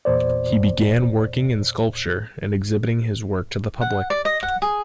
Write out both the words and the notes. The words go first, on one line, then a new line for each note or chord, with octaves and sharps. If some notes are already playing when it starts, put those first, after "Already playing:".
He began working in sculpture, and exhibiting his work to the public.
E2 A#2 C5 D5
F#5
D5
D#5
F#5
G#4